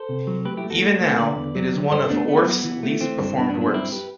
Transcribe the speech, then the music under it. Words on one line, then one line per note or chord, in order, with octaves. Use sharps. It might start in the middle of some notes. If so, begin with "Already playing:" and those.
Even now, it is one of Orff's least performed works.
Already playing: A4 C5
C3
F#3
A3 G4 B4
E4 G4
A3
F#4 A4
A3
A3
D3 B4 D5
E2
F#3
D3
G2 A4 C5
A3 B3 D4
A3 B3
F#3
E3
A3
E3 C4
G2
G2 B3 D4
B3 D4
F#3
B3 D4
G2 C4 E4
G4 B4